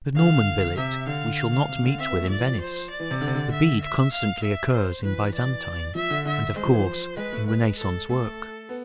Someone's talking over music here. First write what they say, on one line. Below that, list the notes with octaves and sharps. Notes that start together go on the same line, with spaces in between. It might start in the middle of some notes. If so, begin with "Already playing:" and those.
The Norman billet we shall not meet with in Venice; the bead constantly occurs in Byzantine, and of course in Renaissance work.
D3 F5
C3 E5
D3 F5
C3
D3
C4 E5
B3
A3
F3 D5
E3
F3
C5
D5
E3
C3
D3
C3
D3
E5
E5
F5
E5
C5
E3 B4
D5
F3 E5
D3
D3 E5
G#3 C5
F3
E3
F3
G#3 B4
A3
G#3 B4
A4
A3 A4
B3